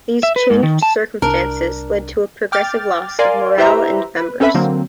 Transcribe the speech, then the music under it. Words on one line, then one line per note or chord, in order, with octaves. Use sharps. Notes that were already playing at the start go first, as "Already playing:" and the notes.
These changed circumstances led to a progressive loss of morale and members.
E5
B4
G#2
D#3
A5
C2 D4 A#4
G5 D6 F6 A6
A#4 D5 F5 G#5 C6
E4 G4 B4 C5 E5 A#5
B4
C4 C#4 A4 B4 E5 B5
D3 F#3 A#3 C4